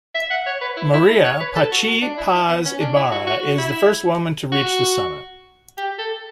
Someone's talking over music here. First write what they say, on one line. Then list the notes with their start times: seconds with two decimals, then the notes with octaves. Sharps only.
Maria "Pachi" Paz Ibarra is the first woman to reach the summit.
0.15 E5
0.30 F#5
0.46 C#5
0.61 B4
0.77 E4
0.93 E4
1.24 C#5
1.40 B4
1.56 A4
1.71 F#4
2.02 D4
2.18 E4
2.48 B3
2.65 C#4
2.80 D4
2.96 E4
3.12 F#4
3.27 F#4
3.58 E4
4.52 F#4
5.77 G4
5.98 A4